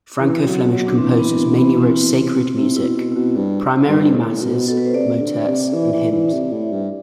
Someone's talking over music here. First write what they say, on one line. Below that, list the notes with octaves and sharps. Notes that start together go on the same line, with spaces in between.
Franco-Flemish composers mainly wrote sacred music, primarily masses, motets and hymns.
E3 C4
F#3
F#3
D4
E3 C4
B3
B3
C4
C3 E4
B2 E4
B2 E4
E4
B2 F#4
G2 C5
C5
G2
A2
B2
B2 A4
B4
C5
C3 D5
D3
D5
C3
E3 E5
E3 E5
E3
C3
A2
G2